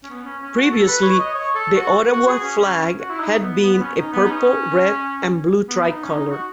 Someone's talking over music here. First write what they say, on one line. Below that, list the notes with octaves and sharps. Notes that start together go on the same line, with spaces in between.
Previously the Ottawa flag had been a purple, red and blue tricolour.
C#4
B3
C#4
C#4
F#4
A4
B4
C#5
D#5
C#5
A4
F#4
F#4
G#4
C#4
C#4
F#4
E4
D#4
B3
B3
B3
C#4
D#4
B3
D#4
C#4
B3
D#4
C#4
D#4
F#4